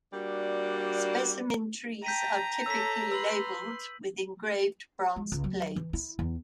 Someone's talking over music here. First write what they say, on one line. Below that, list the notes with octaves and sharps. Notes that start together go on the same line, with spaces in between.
Specimen trees are typically labeled with engraved bronze plates.
G3 A#3 D4 F#4 D5
G5 A5 A#5 G6 B6 D#7
A4 C#5 E6 B6
B4 C6 E6 F#7
G#3
C#2
F#3
E3
E4
E2